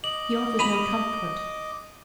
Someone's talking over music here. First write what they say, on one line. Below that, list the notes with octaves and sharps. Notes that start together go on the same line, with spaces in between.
He offers no comfort.
D#5 D6 F#7
B5 D#7 F7 F#7